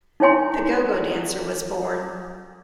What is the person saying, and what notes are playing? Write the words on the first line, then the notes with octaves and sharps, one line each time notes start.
The go-go dancer was born.
D#4 E4 C#5 G#5 C6